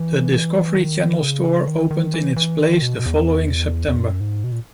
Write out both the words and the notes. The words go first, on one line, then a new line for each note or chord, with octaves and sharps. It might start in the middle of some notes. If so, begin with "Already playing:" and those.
The Discovery Channel Store opened in its place the following September.
Already playing: E3
D#3
C#3
D#3
D#3
E3
E3
D#3
B2
E2
E2
F#2
G#2
B2
A#2